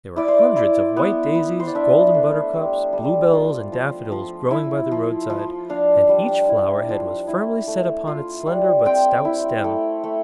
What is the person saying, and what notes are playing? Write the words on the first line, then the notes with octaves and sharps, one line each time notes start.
There were hundreds of white daisies, golden buttercups, bluebells and daffodils growing by the roadside, and each flower-head was firmly set upon its slender but stout stem.
E4 D5
C5
D5
E4
B3
B3
C5
D5
D4 E5
A3
G3
G3
F4
F3
F3
E4
F3
F3
D4 F5
G3
E4
F3
E4
A3
F4
G3
C4 G5
E4
A3
A3